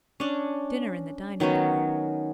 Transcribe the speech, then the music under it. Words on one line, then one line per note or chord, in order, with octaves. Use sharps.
Dinner in the dining-car.
C#4 D4
D#3 F#3 B3 C#4